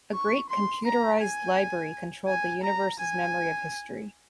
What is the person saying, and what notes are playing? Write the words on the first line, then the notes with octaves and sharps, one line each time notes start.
A great computerized library controlled the universe's memory of history.
C#6
C6
A#5
G#5
G#5
A#5
G#5